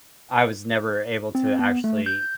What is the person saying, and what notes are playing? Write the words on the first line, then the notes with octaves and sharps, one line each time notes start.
I was never able to actually
C4
B3
A3
G6